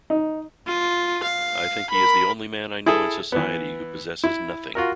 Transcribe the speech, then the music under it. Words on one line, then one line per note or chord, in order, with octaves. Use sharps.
I think he is the only man I know in society who possesses nothing.
D#4
F4
F5
A#4 B5
E4 G#4 A4
E3 B3
E4
F4 F#4 A#4